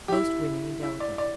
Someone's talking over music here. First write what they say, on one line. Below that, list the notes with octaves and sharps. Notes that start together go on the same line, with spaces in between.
"Most winning and delicate."
G4
E4
E4
D5
D5